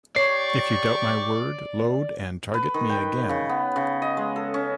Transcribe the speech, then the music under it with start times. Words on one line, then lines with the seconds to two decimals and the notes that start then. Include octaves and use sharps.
If you doubt my word, load and target me again.
0.16 G4 C#5 D5 C#6 C7
2.54 B4
2.74 D#3
2.89 G5
3.29 C#3
3.49 B3
3.76 C#3
4.02 D#5
4.17 G#3
4.36 A4
4.54 C#4